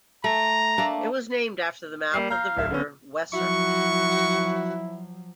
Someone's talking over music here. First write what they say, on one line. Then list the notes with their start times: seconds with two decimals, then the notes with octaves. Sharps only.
It was named after the mouth of the river Weser.
0.24 A3 A#5
0.78 A3 A#3 D4
2.14 G3 A#3 C7
2.30 F5 A#5 G6
2.57 D1 E5
2.70 D3 B3 C#4
3.33 F3 F#3 E4 F#4 C#6